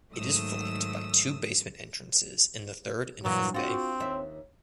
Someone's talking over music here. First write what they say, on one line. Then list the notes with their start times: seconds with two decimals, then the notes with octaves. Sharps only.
It is flanked by two basement entrances in the third and fifth bay.
0.12 G#2 D#3 F#3 A3 D#6 E6
3.24 G2 A#2 E3 F#3
3.54 C4 F4 F#4
4.00 D#2 E5